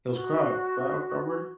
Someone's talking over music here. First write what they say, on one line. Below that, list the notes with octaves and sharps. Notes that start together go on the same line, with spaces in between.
It was Craw Craw Crawford?
F#4